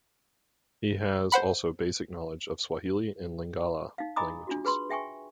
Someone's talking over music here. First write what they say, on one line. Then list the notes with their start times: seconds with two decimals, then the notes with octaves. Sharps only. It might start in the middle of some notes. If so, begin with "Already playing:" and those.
He has also basic knowledge of swahili and lingala languages.
1.32 C5 F#5 B5
3.98 D#4 F5
4.16 D#5 G#5 A#5 B5 D6 D#6
4.47 D4 F4 F#4
4.65 G#4 B4 B5 C6
4.89 G#4 E5 G5 G#5 C#6